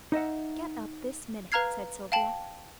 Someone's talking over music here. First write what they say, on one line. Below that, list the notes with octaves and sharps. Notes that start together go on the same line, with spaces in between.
"Get up this minute," said Sylvia.
D#4 D#5 E5 F#5
B4 F5 A#5 F6 G#6 C7
F5 G5 A5 F#7